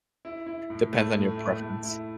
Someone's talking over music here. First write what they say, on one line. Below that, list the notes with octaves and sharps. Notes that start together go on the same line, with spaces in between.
depends on your preference.
E4
E4
A2
A3
A2
E4
A3
E4